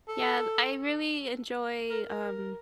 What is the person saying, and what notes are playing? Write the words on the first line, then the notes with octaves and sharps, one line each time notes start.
Yeah. I really enjoy, um
A4
A#4
A#4